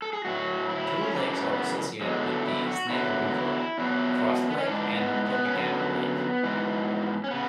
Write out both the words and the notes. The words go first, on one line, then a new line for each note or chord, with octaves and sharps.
Two lakes are associated with the Snake River: Cross Lake and Pokegama Lake.
A4
G#4
A2 F#3 F#4
E4
C#4
F#2 C#3 E3 D4
C#4
B3
E2 D3 F#3 G#3
A3
E4
F#4
E2 D3 F#3 E4
E4
E2 B2 F#3
B3
C#4
G#2 E3 D4
B3
B3
C#4
F#2 D3 F#3 B3
G#2 E3
C#4
C#3 B3